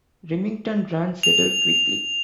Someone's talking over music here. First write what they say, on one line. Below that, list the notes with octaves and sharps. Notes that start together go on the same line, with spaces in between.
Remington Rand settled quickly.
F7